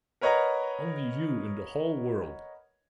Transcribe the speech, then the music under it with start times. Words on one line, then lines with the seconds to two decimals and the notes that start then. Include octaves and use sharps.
Only you in the whole world.
0.21 A#4 B4 C#5 D#5 F#5 A#5